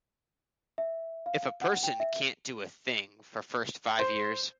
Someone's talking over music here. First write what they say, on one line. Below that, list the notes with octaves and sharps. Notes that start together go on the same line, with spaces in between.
If a person can't do a thing for first five years.
E5
F5
F#5
G5
E5
C5 C6